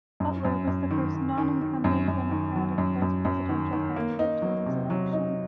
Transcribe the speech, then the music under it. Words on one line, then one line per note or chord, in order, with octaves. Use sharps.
Butler was the first non-incumbent Democratic vice presidential candidate to lose election.
F#2
F#2
F#2
D#3
D#3
D#3
D#3
F#2
F#2
D#3
F#3
F#2
F#2
F#2
D#3
D#3
A#3
D#4
F#3
C3
F#3
D#4